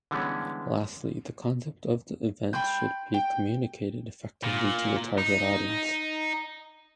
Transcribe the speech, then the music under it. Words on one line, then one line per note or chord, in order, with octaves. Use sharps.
Lastly, the concept of the event should be communicated effectively to the target audience.
D3 E3 G3 G#3 B3 C#4
G5 B5 C6 G6
G5
A#2
D#4